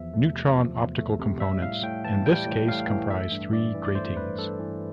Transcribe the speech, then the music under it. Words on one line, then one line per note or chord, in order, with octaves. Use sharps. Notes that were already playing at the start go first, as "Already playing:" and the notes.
Neutron-optical components in this case comprise three gratings.
Already playing: E2 F3 E5
A3
C3
F3
E2
A3
C3
G3 E5
A2 F5
A2 G5
E3 A5
G3 G5
A2
A2 F5
E3
A3 E5
G2
G2 D5
E3
D5
A3 C5
G2 B4
G2 A4
E3